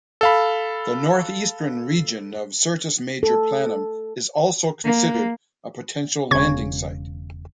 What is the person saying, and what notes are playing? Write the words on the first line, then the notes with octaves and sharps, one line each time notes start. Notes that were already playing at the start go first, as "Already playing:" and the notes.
The northeastern region of Syrtis Major Planum is also considered a potential landing site.
A4 F5 B5
A4
A#3
E1 C#3 C#6 G#6